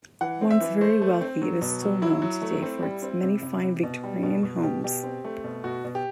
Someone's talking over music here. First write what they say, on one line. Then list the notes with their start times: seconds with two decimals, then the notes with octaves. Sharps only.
Once very wealthy, it is still known today for its many fine Victorian homes.
0.21 E3 F#5
0.41 C4
0.51 E5
0.61 E3
0.81 A3 C5
1.02 A3
1.21 C4
1.42 F#3
1.61 B2
1.82 F#3
2.02 F#3 E4
2.22 F#3
2.42 A3
2.62 C4
2.83 G3
3.03 C4
3.23 C3
3.43 C3
3.63 C3
3.83 B2
4.04 G3
4.23 B2
4.43 B2
4.63 B2 G4
4.84 B2 G4
5.04 C4
5.25 A3
5.44 B2
5.64 B2 F#4
5.85 B2
5.95 G4